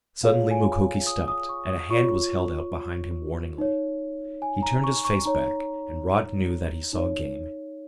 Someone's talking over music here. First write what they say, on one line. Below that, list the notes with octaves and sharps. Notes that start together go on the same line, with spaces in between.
Suddenly Mukoki stopped, and a hand was held out behind him warningly. He turned his face back, and Rod knew that he saw game.
F4 G#4 C#5 F5
G#5
D#6
D#6
C#6
D#6
F4 C#5 C#6
D#4 C#5
G#5
A#5
C#6
C#6
D#4 C#5 A#5
D#4 C#5